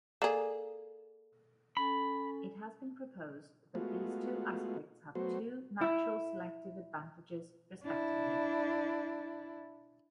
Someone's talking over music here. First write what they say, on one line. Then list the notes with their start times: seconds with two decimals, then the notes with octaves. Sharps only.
It has been proposed that these two aspects have two natural selective advantages respectively.
0.22 A#3 G#4 A4 D5 E7
1.77 C#4 A4 G#5 B5
3.75 G#3 A3 B3 F4 F#4
5.15 F#3 A3 B3 F#4 C5
5.81 E4
7.83 D4 E4